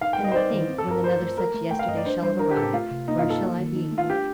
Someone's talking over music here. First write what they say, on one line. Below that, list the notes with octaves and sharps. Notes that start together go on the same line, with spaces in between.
And I think when another such yesterday shall have arrived, where shall I be?
D#4 F5
G5
G3 D#5
C5
D#4 D5
D#3
C4
A4
G2 A#4
F4 C5
A3
A4 A#4
A3
A3 G5
F5
G2 D#5
D5
D4 C5
G3 C5
D4 A#4
G4
A2 A4
G4
A3 F4
C3
A#3 D#4
F4
G2
A4
A#3
D#3
D#4
A3
F4
D4 G4